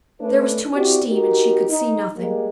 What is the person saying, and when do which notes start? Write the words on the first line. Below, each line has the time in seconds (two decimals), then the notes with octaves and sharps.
There was too much steam and she could see nothing.
0.21 A3 C#4 D4 B4
0.74 C4 E4 F#4 G4 D5
1.08 D#4 F#4 G4 A#4
1.68 D#4
2.16 G3 G#3 A#3